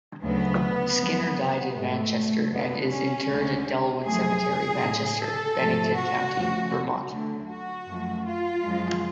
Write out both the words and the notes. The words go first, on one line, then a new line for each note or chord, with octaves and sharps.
Skinner died in Manchester and is interred at Dellwood Cemetery, Manchester, Bennington County, Vermont.
D2 C#3 F#3 A3 B3
F#2 F3 G#3
G#2 G#3 A3
F#2 D3 G#3 B3
C#4
D2 D3 G#3
F#2 F3 A3 G#4
A2 G#3
A4
G#2 F3 A3
F#4
F2 C#3 F3 A3
D2 D3 F#3 A3
F#4
F#2 F3 A3
F4
F#2 F3 G#3